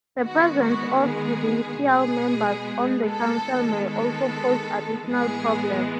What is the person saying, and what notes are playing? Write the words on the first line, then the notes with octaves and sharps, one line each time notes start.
The presence of judicial members on the Council may also pose additional problems.
D#3 G#3 B3 F#4
F#4
G#4
B2 G#3 B3 G#4
A4
D#3 G#3 B3
A4
A2 E3 G#3 B3 G#4